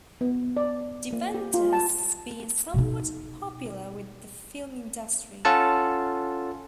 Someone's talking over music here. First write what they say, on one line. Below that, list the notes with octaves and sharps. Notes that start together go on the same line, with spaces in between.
Deventer has been somewhat popular with the film industry.
B3
D5
A#3
G4
F4
A5
B2 D#4
C#4 F4 A4 F#5 A5